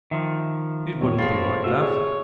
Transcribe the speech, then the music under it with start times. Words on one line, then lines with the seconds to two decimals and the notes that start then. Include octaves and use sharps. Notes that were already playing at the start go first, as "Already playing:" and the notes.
"It wouldn't be like that."
0.11 D#3 F3 E5
1.01 E1 A#1 A#2 C#5
1.18 A2 G#3 C4 F4
1.64 A3 F4 F#4 E5
1.79 G4 G#4 C#5 D5